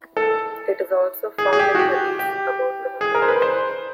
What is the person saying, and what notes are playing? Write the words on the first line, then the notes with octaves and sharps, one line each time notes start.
It is also found in hadith about Muhammad.
A4
G#4
G#4
G4
F#4
G4
G4
G#4
A#4
C5
B4
C5